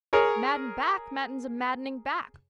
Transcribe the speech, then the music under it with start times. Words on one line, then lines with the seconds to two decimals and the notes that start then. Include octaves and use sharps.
Madden back Madden's a maddening back.
0.13 G#4 A#4 C#5